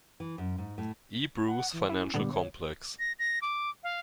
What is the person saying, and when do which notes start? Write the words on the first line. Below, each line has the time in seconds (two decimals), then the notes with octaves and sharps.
E. Bruce financial complex.
0.20 E3
0.38 F#2
0.58 G#2
0.78 A2
1.48 F#5
1.73 E3
1.89 C#4 E4
2.14 A#2 D3 G3 B3
2.33 C#5
2.99 A#6
3.19 A#6
3.42 D6
3.83 F5